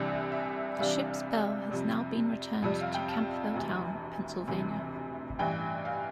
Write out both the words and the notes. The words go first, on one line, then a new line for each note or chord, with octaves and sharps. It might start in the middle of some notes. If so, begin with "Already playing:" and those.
The ship's bell has now been returned to Campbelltown, Pennsylvania.
Already playing: C2 C3 E3 G3 D4
E5
C2 C3 E3 G3 D4 F5
F2 C3 G3
F2 C3 G3
F5
G5
A5
E1 D2 C3 E3
E1 D2 C3 E3
A1 G2 E3 G5
F5